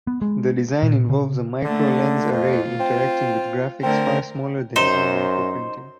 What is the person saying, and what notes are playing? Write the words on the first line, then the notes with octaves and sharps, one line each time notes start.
The design involves a micro-lens array interacting with graphics far smaller than any microprinting.
B3
G#3
A#2
C#3
D3 A3 A#3
F2 F4
C4
D3 A3 C4 A#4
F#2 D#4 C5